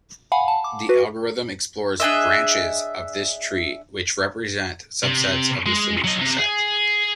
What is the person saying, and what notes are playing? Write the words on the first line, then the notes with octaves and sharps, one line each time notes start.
The algorithm explores "branches" of this tree, which represent subsets of the solution set.
F5 F#5 G#5 B5
A5
D6
F#4 B4
D4 G#4 D#5 E5
C3
G#3
F#3 D#5
C3
G#4